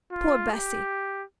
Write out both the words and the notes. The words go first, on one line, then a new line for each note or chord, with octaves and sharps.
'Poor Bessy!
F4
G4